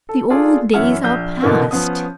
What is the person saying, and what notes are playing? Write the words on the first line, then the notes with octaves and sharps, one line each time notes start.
The old days are passed.
A4
D4 F4 G#4 A4 D5
F#2 E3 C#4 E5 F#5 F6
A#1 G6
B2 D3 E3 A#3 B3
F3 B3 C#4 D#6